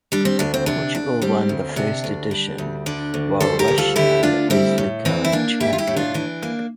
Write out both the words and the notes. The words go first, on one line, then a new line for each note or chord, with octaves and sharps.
Portugal won the first edition, while Russia is the current champion.
G3 D4
C4
D2 D4
C4
C3 D4
D2 D4
G3 C4
D2
C3 D4
D2
G3
D2
D3 D4
D2
G3 A4 C5
G4 A#4
D2
F4 A4
D3 E4 G4
D2 D4 F4
G3 C4 E4
A2
E3 C4
E4
A#3 D4
G3 E4 G4
F4
E4 G4
A2
D4 F4
E3 D4
A#3